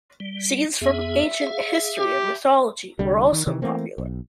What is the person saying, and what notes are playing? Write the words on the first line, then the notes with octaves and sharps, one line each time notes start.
Scenes from ancient history and mythology were also popular.
G3
F2 B3 G#4 E5
G#4 F5
G4
C2 D3 G3
D#3
C3 D#3 E3
E3 A3 A#3 C4
B1